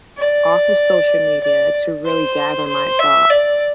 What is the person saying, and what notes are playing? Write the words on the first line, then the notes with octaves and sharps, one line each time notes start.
off of social media to really gather my thoughts
D5
D5
C5
C5
E5
D5